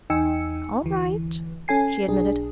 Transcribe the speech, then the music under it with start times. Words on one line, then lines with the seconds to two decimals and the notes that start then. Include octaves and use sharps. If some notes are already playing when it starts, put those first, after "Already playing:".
"All right," she admitted.
0.10 E2 D#4 G5 G#5 E6 C#7
0.83 D2 E3
1.68 C#4 A4 G#5 C7
2.08 B1 D4 G#4